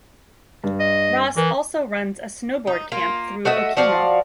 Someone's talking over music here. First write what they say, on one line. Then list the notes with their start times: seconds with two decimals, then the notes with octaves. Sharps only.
Ross also runs a snowboard camp through Okemo.
0.64 G2
0.80 D#5
1.36 E3 A#4
2.67 D#4
2.92 A#3 F4
3.45 A3 F#4 D#5 E5
3.77 F3 F#4 D5 F5